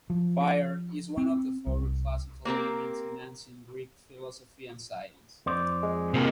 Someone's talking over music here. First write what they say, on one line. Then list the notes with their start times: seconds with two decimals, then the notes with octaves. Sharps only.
Fire is one of the four classical elements in ancient Greek philosophy and science.
0.10 F3
1.18 C4
1.67 C2
2.45 A#3 C4 G4 A#4
5.46 F2 C5 D5
5.83 G#3
6.14 C3 A#3